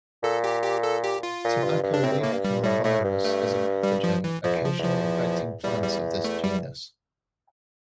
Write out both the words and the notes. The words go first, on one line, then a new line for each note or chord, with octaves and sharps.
Tobacco leaf curl virus is a pathogen occasionally affecting plants of this genus.
A#2 A4
G4
G4
A4
G4
F4
A#2
G2
G2
D4
A2 C4
G2
A2 A#3
G2
G3
A2 G3
A2 A3
G2
A3
G3
F3
E3
F2 F3
E2
F3
E2
F3
E2 G3
G3
A3
G3